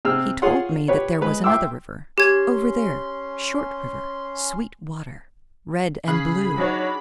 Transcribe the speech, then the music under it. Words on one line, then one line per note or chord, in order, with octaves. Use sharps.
He told me that there was another river--"over there, short river, sweet water, red and blue."
C3 C4 G#4 E6 F6
F4 G#4 C#5 F#5 C6
G4 B4 C#5
G#3 B4
E5 G5 C6 D6 E6
C#4 G4 C6 G#6
C#3 G#4 F5 B5 F#6
F#3 D4 D#4 F#4 G#4 C#5